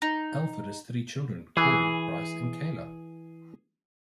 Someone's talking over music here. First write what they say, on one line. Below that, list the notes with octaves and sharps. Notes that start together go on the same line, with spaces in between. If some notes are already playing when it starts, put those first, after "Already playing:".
Alford has three children, Kory, Bryce and Kayla.
D#4
E3 G#4